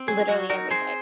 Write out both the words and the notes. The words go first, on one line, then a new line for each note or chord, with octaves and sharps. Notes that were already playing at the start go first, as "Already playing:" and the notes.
Literally everything.
Already playing: C4
F#3 G#4
F#3 F#4
D#4 F#4 A#4
C4 G#4 C5